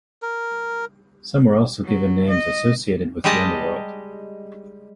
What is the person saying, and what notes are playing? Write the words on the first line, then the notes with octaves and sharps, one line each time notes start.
Some were also given names associated with the underworld.
A#4
F#3
D#5
G3 G#3 G4 D#5 A5